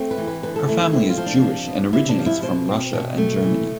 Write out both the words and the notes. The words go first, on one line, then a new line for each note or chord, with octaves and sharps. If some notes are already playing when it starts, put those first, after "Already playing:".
Her family is Jewish and originates from Russia and Germany.
Already playing: A3 C4
B4
E3
B4
D3 B4
A4
A3 E4
E4
C4 E4
F4
F3
D4
C3
B3
C3 E4
D4
F3
E4
B2 C5
C4
B2
A3
E3